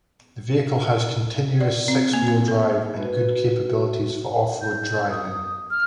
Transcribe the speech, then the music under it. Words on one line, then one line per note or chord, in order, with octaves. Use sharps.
The vehicle has continuous six wheel drive and good capabilities for off-road driving.
D5
C4
A#3
A#3
A4
B2 B4
G6
D#6
F6